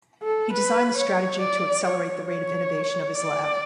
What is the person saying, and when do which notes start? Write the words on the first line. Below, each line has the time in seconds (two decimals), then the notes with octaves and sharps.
He designed the strategy to accelerate the rate of innovation of his lab.
0.23 A4
0.52 B4
0.96 C#5
1.40 D5
1.84 C#5
2.28 C#5
3.16 D5